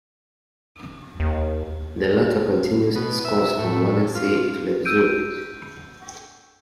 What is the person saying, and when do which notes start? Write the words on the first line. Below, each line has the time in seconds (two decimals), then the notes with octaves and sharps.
The latter continues its course from Walensee to Lake Zurich.
1.20 D#2
2.96 B2
3.25 E5
3.59 A2
4.15 F4
4.85 E6 F6 G6 D7 D#7